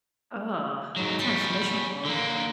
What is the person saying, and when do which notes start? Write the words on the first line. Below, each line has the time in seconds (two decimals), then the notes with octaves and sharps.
Ugh, that sounds miserable.
0.96 G#2 F#3
1.19 G3 C#4
2.05 D3 A#3